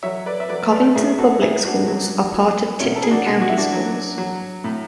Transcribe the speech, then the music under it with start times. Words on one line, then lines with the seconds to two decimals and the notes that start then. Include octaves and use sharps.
Covington Public Schools are part of Tipton County Schools.
0.03 F#3 C#5 E5
0.26 B4 D5
0.40 E5
0.49 F#3 B4 D5
0.72 B4 D5
0.95 A2 E4 G#4
1.18 F#4 A4
1.41 A2 E4 G#4
1.65 D4 F#4
1.88 F#3
2.34 F#3
2.80 B2 C#4 E4
2.96 A4
3.03 G#4
3.11 D4 F#4
3.26 B2
3.41 F#4
3.49 E4
3.58 D4 F#4
3.73 F#3
4.18 F#3
4.64 A2